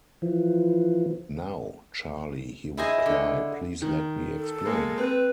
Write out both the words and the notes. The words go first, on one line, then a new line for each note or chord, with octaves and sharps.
"Now, Charlie," he would cry, "please let me explain!"
E3 F3
E4 G#4 C5 D#5
D3
D#3
A4
G#3 A#3
C4 B4